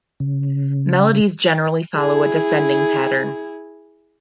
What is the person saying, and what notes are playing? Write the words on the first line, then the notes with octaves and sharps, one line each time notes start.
Melodies generally follow a descending pattern.
C#3
E4 G#4